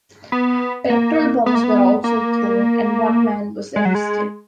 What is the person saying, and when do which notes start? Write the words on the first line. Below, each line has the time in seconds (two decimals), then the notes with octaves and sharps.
Petrol bombs were also thrown and one man was arrested.
0.32 B3
0.90 A#3
1.46 B3
1.55 A#3
1.64 B3
2.04 A#3
3.76 G#3
3.85 F#3
3.95 G#3